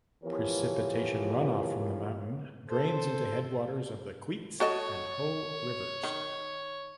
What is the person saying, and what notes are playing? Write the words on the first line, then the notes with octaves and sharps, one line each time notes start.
Precipitation runoff from the mountain drains into headwaters of the Queets and Hoh Rivers.
E3 F3 B3 G4 A#4 C#5
A4 C5
F#4 A4 C#5 D#5
D#3